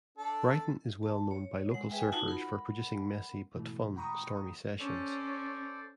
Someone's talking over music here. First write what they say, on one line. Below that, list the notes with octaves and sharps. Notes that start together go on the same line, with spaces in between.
Brighton is well known by local surfers for producing messy but fun 'stormy sessions'.
D4 A4
A5
C#5
G#3 F#5
G#4 B4 E5 G5 G#5
D#4 F4 F#4 F#5 A5
A#4 F#5 B5
G#2 B2 E3 A3
F#5 G5 A#5 B5 C#6 D#6
C#4 A4 C5 D5